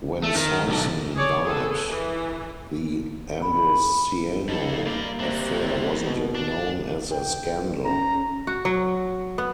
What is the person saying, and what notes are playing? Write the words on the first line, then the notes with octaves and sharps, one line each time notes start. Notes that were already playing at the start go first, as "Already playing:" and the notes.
When Soisson died, the Ambrosiano affair wasn't yet known as a scandal.
A3
D#3
B1 D3
G#4 C#5 D5
G#4 A4 B4
E3
B5
F3 D#4 A4
G3 A#3 D5 F5 B5
C3 D4 F#4
B2
D4
G5
C#4 A#5
F#4
F#3
B3